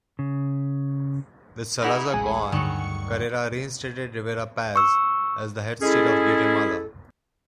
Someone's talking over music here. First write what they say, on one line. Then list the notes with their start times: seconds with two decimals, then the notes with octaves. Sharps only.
With Salazar gone, Carrera reinstated Rivera Paz as Head of State of Guatemala.
0.19 C#3
1.82 D#4 E4 G#4 A#4 F#5 B5
2.14 D1 A1 G#3 G#5
2.52 D2 G2 D3 D#3 F#3 G3 C#6 C#7
4.76 C#6 E6
5.82 G#3 C#4 E4 G#4 A4